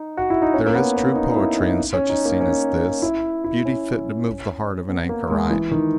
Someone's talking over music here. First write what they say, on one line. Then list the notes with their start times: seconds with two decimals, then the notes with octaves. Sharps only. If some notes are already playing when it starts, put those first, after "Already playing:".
There is true poetry in such a scene as this, beauty fit to move the heart of an anchorite.
Already playing: D#4
0.17 F#4
0.30 E4
0.42 D#4
0.54 C#4
0.66 A#3
0.75 B3
0.96 C#4
1.16 D#4
1.36 E4
1.58 D#4
1.93 C#4
2.10 D#4
2.25 A#3
2.41 C#4
3.02 E4
3.44 E4
3.65 C#4
4.89 B3
5.09 A#3
5.30 G#3
5.50 E3
5.71 D#3